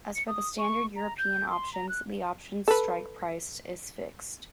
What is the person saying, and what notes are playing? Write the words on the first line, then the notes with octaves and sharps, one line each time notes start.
As for the standard European options, the option's strike price is fixed.
C#7
D#6
C#6
A#5
G6
C6
A#5
F#6
A4 B4